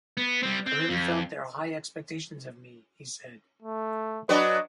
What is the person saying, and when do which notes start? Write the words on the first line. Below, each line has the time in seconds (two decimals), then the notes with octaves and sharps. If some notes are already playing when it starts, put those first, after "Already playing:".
"I really felt their high expectations of me", he said.
0.17 B3
0.43 G3 C4
0.66 C4
0.89 F2
3.62 A3
4.29 F#3 D4 B4 D#5